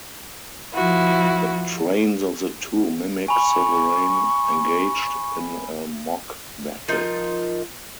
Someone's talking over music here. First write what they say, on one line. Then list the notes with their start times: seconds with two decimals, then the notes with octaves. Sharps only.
The trains of the two mimic sovereign engaged in a mock battle.
0.74 F3 E4 F#4
3.28 G#5 B5 C#6
6.88 F3 D#4 F4 A#4